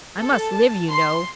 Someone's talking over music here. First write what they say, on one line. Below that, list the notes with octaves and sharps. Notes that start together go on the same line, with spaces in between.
I must live, you know!
A4
A5
C6